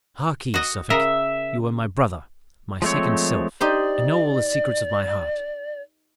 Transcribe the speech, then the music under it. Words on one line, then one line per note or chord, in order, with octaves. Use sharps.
Harkee, Suffolk, you are my brother, my second self, and know all the secrets of my heart.
F#4 D#5
C#3 A#4 D#5 E5
F3 G#3 A3 C4 C#5
D#4 G4 C5 D5